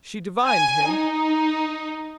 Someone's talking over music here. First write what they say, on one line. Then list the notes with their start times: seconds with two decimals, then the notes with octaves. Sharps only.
She divined him.
0.45 G#5
0.88 D#4